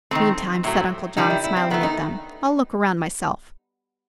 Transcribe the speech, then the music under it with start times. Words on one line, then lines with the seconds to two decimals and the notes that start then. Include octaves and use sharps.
"Meantime," said Uncle John, smiling at them, "I'll look around myself."
0.11 F#3 A3 C4
0.15 D#3
0.64 A2 F#3 A3
1.17 D#3 G3 D#4
1.30 E4
1.44 E4
1.56 C4
1.70 D#3 A3 B3
1.83 D#4